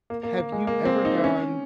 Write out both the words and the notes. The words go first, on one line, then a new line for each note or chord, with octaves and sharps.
Have you ever gone
A#3
A#3
A#3
G#3
A#3
C4
D#4
C#4